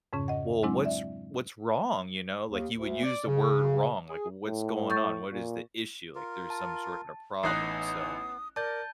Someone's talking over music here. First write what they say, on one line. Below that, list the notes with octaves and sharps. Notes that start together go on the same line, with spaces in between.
"Well, what's what's wrong?" You know? Like, you would use the word "wrong." Like, what's going on? What is the issue? Like, there's some sort of a problem, so
F2 G#2 C#3 C#4
D#5 F#5
F#3 G#3 C4 D4 E4
D5 E5
D#2
D2
D5
C#3
G#4
A2
C#6 G6 A6
A#2
F4 A#4
A5
A1 B3 D#4 D#6 F#6 C7
A#4 D5 A5 G6